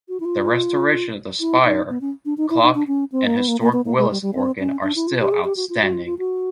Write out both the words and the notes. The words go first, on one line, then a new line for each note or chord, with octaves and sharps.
The restoration of the spire, clock, and historic Willis organ are still outstanding.
F#4
E4
F4
E4
D#4
B3
C#4
D4
D#4
E4
D#4
D4
C#4
C4
A#3
B3
A#3
A#3
B3
A#3
G#3
G3
G3
C4
C#4
D4
E4
F4
G4
G#4
G4
F#4
F4
F#4
F4
F4
F#4